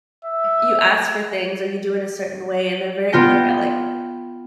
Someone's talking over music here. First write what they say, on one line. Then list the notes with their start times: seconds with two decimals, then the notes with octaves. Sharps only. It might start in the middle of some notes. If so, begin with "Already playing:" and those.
you ask for things or you do it a certain way, and they're very quick at, like,
0.25 E5
3.12 B3 F4 G5 A#6